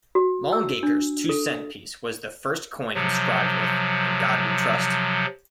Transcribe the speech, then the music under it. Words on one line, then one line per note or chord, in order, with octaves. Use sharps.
Longacre's two-cent piece was the first coin inscribed with "In God We Trust".
F#4
E6
D4
A4
C3 F3 F#3